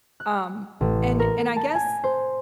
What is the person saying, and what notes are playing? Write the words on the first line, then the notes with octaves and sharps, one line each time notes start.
Um, and and I guess
F#6
A1
A#4
A5
G#5
C5